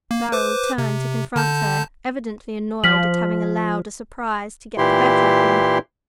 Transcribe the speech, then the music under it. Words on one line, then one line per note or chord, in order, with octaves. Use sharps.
Barold turned to confront her, evidently annoyed at having allowed a surprise to get the better of him.
A#3
B4 C5 D6
C3
D3 A5 G6
F3 F6 B6 F#7
A#2 E3 E4 G4 C6